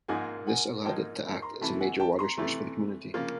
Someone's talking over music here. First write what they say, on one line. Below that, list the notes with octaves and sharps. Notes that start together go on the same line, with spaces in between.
This allowed it to act as a major water source for the community.
G#2 F3 A#3 D#4 G#4 F#5 G#5
F#5 G#5
G#2 F3 A#3 D#4 G#4 G5 A5
A#5 C6
C3 E3 A3 A5 B5
F#5 G#5
G5 A5
A#5 C6
C3 E3 A3
C#3 F3 A#3